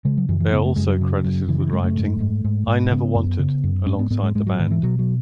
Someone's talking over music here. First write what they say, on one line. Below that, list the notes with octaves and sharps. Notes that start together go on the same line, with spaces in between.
They are also credited with writing "I Never Wanted" alongside the band.
C#3 G#3
F#3
F#2 E3
E3
C#3 B3
A3
F#2 G#3
F#3
C#3
F#2
C#3 E3
E3
F#2 G#3
A3
G#2
G#2
G#2
G#2
C#3 B3
F#2
C#3
F#2
G#2 C#4
B3
G#2 B3
G#3
G#2 G#3
F#3
G#2 D#3
E3
B2 F#3
F#3